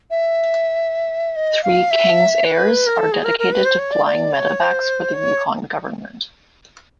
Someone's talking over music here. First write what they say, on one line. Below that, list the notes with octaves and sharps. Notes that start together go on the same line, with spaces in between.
Three Kings Airs are dedicated to flying medevacs for the Yukon Government.
E5
D#5
F5
E5
B4
A#4
A4
G#4
A#4
A#4
B4
C5
C#5
D5
D5
C#5
C5
C#5